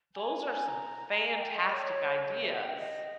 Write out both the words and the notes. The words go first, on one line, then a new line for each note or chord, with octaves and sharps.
those are some fantastic ideas,
G#5
A#5
A#5
G#5
G5
D#5
D#5
C#5
C#5
E5
G5
D#5